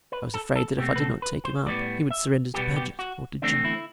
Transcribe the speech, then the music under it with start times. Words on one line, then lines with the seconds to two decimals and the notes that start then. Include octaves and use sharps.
I was afraid that if I did not take him up he would surrender to Paget or to Jimmy.
0.12 B4
0.34 A4
0.56 A4
0.78 B2 A3 C4 G4
0.96 B4
1.00 A4
1.22 B4
1.45 C5
1.66 A2 G3 B3 D5
2.11 E5
2.54 B2 G3 B3 G4
2.76 G4
2.99 F#4
3.42 E2 D3 A3 C4 D4
3.65 E4